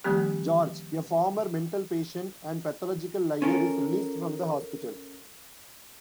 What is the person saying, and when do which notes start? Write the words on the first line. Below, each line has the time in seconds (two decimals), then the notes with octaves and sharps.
George, a former mental patient and pathological liar, is released from the hospital.
0.04 D#3 F3 G3 A3 C4 G4
3.42 C#4 F4 A4 A#4